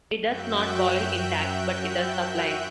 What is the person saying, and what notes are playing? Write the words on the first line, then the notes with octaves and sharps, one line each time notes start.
It does not boil intact, but it does sublime.
F#2 F#4 E5 G5 F#6 G6